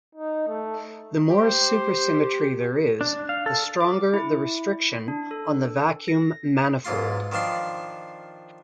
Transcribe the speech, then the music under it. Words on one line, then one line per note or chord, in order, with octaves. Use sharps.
The more supersymmetry there is, the stronger the restriction on the vacuum manifold.
D#4
A3
G4 C5
D4
F5
A4
D6
E4
D4
A4
A#6
B1 G#2 F4 C6
D#3 F3 D4 F5 C6